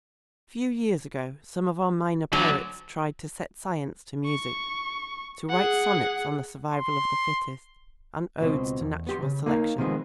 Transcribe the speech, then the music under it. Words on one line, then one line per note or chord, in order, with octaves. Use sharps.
A few years ago some of our minor poets tried to set Science to music, to write sonnets on the survival of the fittest and odes to Natural Selection.
D2 D3 F#3
C#6
G#4 F#5
C6
C#2 B2 C4 D#5
E2
B3 G4 C6
C#3
A#3 D#4 A#4 C#5 F5
C3 D#3 F3 G#3 B3